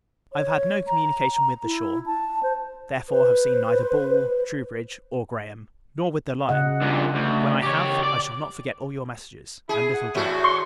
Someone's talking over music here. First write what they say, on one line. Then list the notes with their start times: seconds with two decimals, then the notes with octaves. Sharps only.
I have had no communication with the shore; therefore, have seen neither Ball, Troubridge, or Graham: nor with the Lion; when I have, I shall not forget all your messages, and little Jack.
0.33 C#5
0.88 A#5
1.64 E4
2.06 A5
2.43 C5
3.09 B4 C5
6.49 C#3 D#5 F#5
6.81 G2 A#2
7.15 D2
7.63 G4 C#5
8.03 D5
9.69 E4 G#4
9.94 F#5
10.15 E2 A2 F#4 E5
10.44 C6 C#6